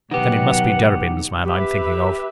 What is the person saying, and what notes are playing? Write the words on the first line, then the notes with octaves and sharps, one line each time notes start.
Then it must be Derebin's man I am thinking of.
B2 D#3 F#3 G4 B4 F#5
G4 B4 E5